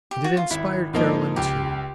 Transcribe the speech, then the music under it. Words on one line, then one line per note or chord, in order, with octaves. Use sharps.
And it inspired Carolyn too.
G4
F#4
F4
G#1 E4
G#2 F3 A#3 D#4
C#2 G4